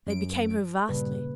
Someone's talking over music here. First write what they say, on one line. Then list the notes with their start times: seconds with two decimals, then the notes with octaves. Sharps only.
They became her vastly.
0.06 F#2 D7
0.89 G2 A#2 C#3 B4